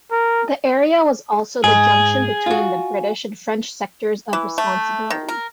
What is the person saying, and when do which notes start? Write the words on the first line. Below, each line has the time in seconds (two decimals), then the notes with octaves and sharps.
The area was also the junction between the British and French sectors of responsibility.
0.11 A#4
1.64 G#2 G#4 G#5
2.46 F4 F#4
4.33 E3
4.58 A3
5.10 D#3
5.29 A#4